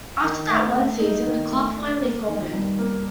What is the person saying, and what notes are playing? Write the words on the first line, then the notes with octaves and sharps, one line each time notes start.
After that one season, the club finally folded.
D#3
A3
A3
D#4
D#3
A3
D4
A#3
D#3
G2
A#3